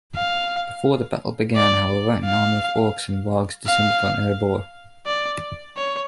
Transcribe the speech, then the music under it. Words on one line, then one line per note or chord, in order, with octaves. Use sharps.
Before the battle began, however, an army of orcs and wargs descended on Erebor.
F5
D5
F5
F5
D5
C#5